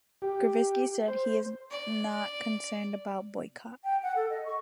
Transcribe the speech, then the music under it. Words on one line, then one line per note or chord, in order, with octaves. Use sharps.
Gruevski said that he is not concerned about boycott.
G4
C5
D5
G5
F#5
A4
D#5
C#6